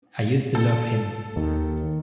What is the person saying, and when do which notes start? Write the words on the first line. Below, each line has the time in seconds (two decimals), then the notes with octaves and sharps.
I used to love him.
0.55 A4
1.36 D#2 D#3